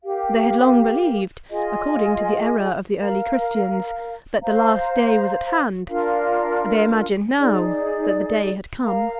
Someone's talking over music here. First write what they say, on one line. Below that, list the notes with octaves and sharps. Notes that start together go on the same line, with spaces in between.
They had long believed, according to the error of the early Christians, that the Last Day was at hand; they imagined now that the Day had come.
G4 A#4 F5
F4 G#4 D#5 G#5
A#4 F5 A#5
C5 F5 A#5
D4 F4 A#4 F5
D#4 G#4 D5
A#4 F5 A#5